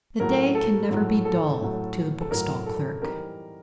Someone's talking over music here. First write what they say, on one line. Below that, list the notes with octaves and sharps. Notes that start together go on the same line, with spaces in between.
The day can never be dull to the bookstall clerk.
A2 F#3 A3 A#4
A4
A2 F#3 A3
A4
A2 F#3 A3
A4
A2 F#3 A3 A#4
A4
E3 G3 C4 D#4 A#4